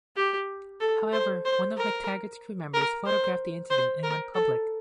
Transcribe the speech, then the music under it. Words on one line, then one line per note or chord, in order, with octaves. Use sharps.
However, one of McTaggart's crew members photographed the incident and went public.
G4
A4
C5
C5
A#4
A#4
C5
C5
A#4
A4